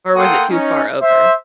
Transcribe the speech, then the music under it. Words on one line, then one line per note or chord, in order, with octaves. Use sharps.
Or was it too far over?
A#3 A4 F#5 G5 C6 D#6
C#4 D#4
C5 E5